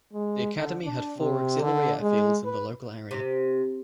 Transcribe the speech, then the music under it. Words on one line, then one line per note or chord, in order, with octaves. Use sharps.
The Academy had four auxiliary airfields in the local area.
G#3
D3
D4
C3
D3
G#3
B4
C3